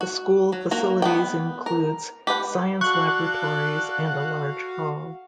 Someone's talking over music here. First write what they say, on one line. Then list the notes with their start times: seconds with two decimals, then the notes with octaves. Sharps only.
The school facilities includes science laboratories and a large hall.
0.01 F#4
0.52 F#3
0.71 A#3 F#4 A#4
1.02 B3 F#5 G5
1.66 A#4
2.27 G4 B4 F#5
2.81 F#4 A4 D5 F5 C#6 F#6